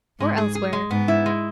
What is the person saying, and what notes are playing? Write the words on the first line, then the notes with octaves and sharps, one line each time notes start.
"Or elsewhere."
G#2 G#3
G#4
G#4
G#3
G#2 B3
E4
G#3